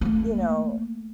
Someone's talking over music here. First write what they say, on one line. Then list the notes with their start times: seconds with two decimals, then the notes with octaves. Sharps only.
you know,
0.01 A3 A#3